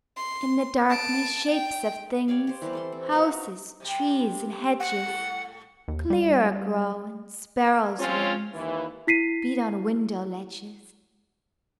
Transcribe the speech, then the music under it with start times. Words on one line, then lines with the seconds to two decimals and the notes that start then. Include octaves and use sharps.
In the darkness shapes of things, Houses, trees and hedges, Clearer grow; and sparrow's wings Beat on window ledges.
0.17 C6
0.90 A5 D7
1.51 G5
2.28 G4 C#5 D5 F5
2.47 G4 C5
2.62 E3 G3 G4 A#4
2.73 A4 C5 C6
2.92 C4
3.12 F#4 A#4 B4 F5
3.80 C3 G3 G4
4.80 F#5
5.05 A2 A4
5.88 D#2
6.10 G3
7.99 F3 C4 C#4 F4 C5 C#5
8.53 D#2 E3 E4
9.07 E4 B6 C7 D#7